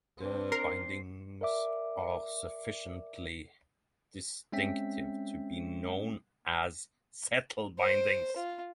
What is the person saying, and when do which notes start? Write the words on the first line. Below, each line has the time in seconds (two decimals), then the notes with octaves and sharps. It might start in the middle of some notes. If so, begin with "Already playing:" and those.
The bindings are sufficiently distinctive to be known as "Settle bindings".
0.17 C4 D4
0.52 A#4 C7
1.41 A#4 D5 E5 D6
4.52 G#3 C4 C#4 E5 G5 B6
7.79 C5
8.36 F4